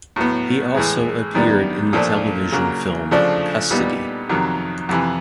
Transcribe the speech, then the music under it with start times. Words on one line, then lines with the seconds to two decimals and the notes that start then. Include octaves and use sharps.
He also appeared in the television film "Custody".
0.16 A2 F#3 B3
0.75 A2 E3 G#3
1.34 F#2 D#3 G3 B3 D4
1.93 A#2 F3 A3 D4
2.52 C#3 F#3 A#3
3.11 C#3 F3 A3 D4
3.71 A#2 G3 B3 D#4
4.29 F2 C3 D#3 F#3
4.89 F2 C3 E3